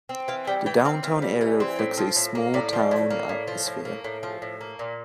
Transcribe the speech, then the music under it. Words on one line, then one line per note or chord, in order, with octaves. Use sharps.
The downtown area reflects a small-town atmosphere.
C4
E3 F5
G3 G5
E3 G5
C4 F5
E3 F5
G3
E3
C4
A2
F3
A2
A#3
A2 D5
F3
A2
A#3
A2
F3
A2
A#3
A2
F3
A2
A#3
A#2